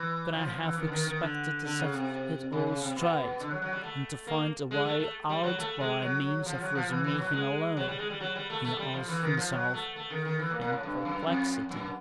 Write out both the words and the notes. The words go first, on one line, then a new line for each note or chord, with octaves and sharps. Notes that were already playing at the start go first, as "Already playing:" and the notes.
"Could I have expected to set it all straight and to find a way out by means of Razumihin alone?" he asked himself in perplexity.
Already playing: E3
F3
F3
E3
D#3
D3
D#3
D#3
D3
D3
C#3
C3
C#3
C#3
C3
B2
B2
D3
F#3
F#3
G3
A3
A#3
G#3
A3
A3
G3
F#3
A3
G#3
F#3
F3
F#3
F3
E3
E3
F#3
G#3
F#3
G3
G#3
G3
F#3
G3
A3
A3
G3
F3
E3
D#3
F3
F#3
A3
A3
D#3
D#3
E3
A#2
A#2
A2
G2
F#2
F2
F#2